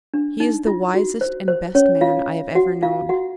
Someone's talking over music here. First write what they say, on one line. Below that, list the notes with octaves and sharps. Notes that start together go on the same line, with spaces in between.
He is the wisest and best man I have ever known.
D4
D#4
F4
F#4
C5
C5
C#4 C#5
F4 F5
F#4 F#5
F4 F5
F#4 F#5